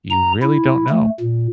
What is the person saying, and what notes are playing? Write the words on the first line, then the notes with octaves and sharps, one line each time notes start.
you really don't know.
A#5
E4
A3
A#2